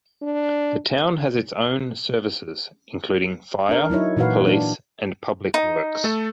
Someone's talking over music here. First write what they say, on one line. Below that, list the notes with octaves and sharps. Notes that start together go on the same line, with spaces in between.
The town has its own services, including fire, police and public works.
D4
D4 A#4
F#3 D#4 E4 C#5
A#2 E3 F#4 B4 F5
D4
D#4
A3 A4